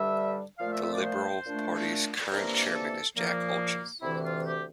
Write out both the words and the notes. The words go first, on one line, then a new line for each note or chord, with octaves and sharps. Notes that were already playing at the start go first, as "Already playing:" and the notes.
The Liberal Party's current chairman is Jack Olchin.
Already playing: G2 D3 G3 D4 E5
A#2 F3 A3 F5
E5
E5
D5
C5
A#2 A3 D4
C3 E3 A#3 D4 A#4
A4
A#2 F3 A#3
D2 C3 E3 E4
F4
G4